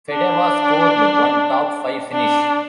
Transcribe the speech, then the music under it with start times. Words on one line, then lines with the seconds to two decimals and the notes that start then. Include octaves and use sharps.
Fedewa scored one top five finish.
0.11 D4
2.12 D4